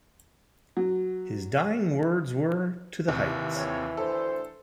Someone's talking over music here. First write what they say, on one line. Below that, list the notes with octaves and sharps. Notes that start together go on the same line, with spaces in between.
His dying words were, To the heights!
F#3
D#2 C3 E3
F2 C4 C#5
D2 A4 C5